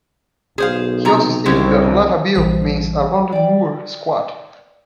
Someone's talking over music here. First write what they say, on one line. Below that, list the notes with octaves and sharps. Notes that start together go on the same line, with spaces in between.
He also stated that "larrabil" means a "rounded moor, squat".
B1 G#4 C5 F5
C3 A#5
C2 C#3 G#3 C4
A#1 E3 G3 C5
D5 G5